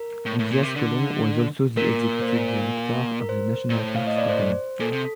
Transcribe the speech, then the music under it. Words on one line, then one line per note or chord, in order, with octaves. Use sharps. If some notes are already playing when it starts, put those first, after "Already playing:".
Diaz Colon was also the executive director of the National Parks Company.
Already playing: A#4
A2
A2
A#2
C3
D3
A#2 A#4
C5
A#4
A#4
C5
A#2
A2
F5
D#5
D5
C5
A#2 A4
C3